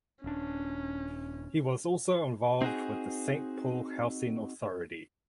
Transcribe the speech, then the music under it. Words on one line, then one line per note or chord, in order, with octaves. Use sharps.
He was also involved with the Saint Paul Housing Authority.
D#1 C#4 D4
C4 D#4 F#4 G#4